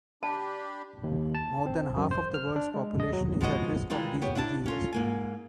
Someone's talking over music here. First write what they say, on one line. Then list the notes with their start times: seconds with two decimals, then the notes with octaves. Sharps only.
More than half of the world's population is at risk of these diseases.
0.23 D4 G4 A5 B5
1.04 D#2
1.35 A5
1.66 C4
1.97 F#2
2.11 C5
2.34 F6
2.56 D4
2.74 G#3
3.00 D#5
3.13 F#3
3.41 F3 G#3 B3 F#4 D#5
3.90 D#3 E3 G3 G#3 D#4 F4
4.22 B3 G4 C#5
4.35 D4 E4 E5 A5
4.66 C#4 F4 A4
4.93 G#2 A#3 G#5